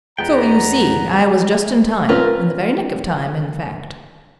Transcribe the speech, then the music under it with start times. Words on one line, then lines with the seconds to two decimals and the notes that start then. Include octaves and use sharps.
"So you see, I was just in time; in the very nick of time, in fact!"
0.19 E2 G#3 B3 F4 G#4 G5 A#5
2.09 C4 C#4 F4 A#4 B4